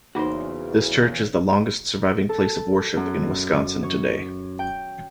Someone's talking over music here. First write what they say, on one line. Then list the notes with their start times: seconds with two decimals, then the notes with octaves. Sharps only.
This church is the longest surviving place of worship in Wisconsin today.
0.15 E2 C#3 A#3 D#4 F#4 A#4 C5 D6
2.29 A4
2.97 F#2
3.83 C#5
4.59 G5